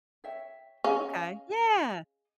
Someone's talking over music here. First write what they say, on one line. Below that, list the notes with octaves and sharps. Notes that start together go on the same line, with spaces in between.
Ma okay, yeah.
C#5 E5 G5
C#4 G#4 D#5 F5